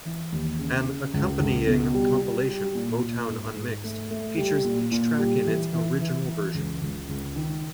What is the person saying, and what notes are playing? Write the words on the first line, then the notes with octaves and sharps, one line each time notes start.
An accompanying compilation, "Motown Unmixed", features each track in its original version.
E3
D#2
C#3
C#3
C#2
C#2
B2
G3
G3
G3
A#2
A#2
G#2
G#2
A3
A3
G3
A#2
A#2
G3
E3
E3
E3
E3
C#2
C#2
C#2
D#3